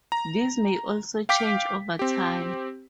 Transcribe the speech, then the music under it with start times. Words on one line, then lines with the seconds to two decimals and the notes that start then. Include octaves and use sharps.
These may also change over time.
0.12 A#5
1.29 F5 G5 D6 B6
1.99 C4 G4